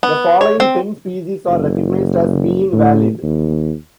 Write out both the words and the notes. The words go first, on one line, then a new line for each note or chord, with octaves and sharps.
The following ten species are recognized as being valid.
B3
C#5
C4
F#1
A2
D#2